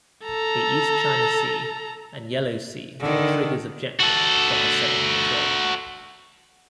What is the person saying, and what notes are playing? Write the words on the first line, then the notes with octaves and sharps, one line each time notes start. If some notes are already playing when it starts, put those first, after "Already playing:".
The East China Sea and Yellow Sea were "Trigger"'s objective for her seventh patrol.
A4 A#5
D3 D#3
F#4 A4